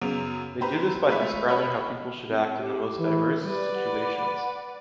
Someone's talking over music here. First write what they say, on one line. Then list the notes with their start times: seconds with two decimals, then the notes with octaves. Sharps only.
They do this by prescribing how people should act in the most diverse situations.
0.02 F#2 C#3 B3 D7 F7
0.61 C4 G4 B4 C5 A#5
1.08 G#3 A3 F4 B4 E5
1.48 F#4 C#5 D#5 F#5 B5 F6
2.28 C4
2.59 G4
2.98 E3
3.43 G3 B4 D5
3.74 F#5